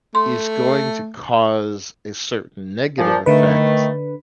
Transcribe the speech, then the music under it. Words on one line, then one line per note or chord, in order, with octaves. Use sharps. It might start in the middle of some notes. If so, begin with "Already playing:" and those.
is going to cause a certain negative effect
A3 C6
A#2 F3
D3 D#3 A3 B4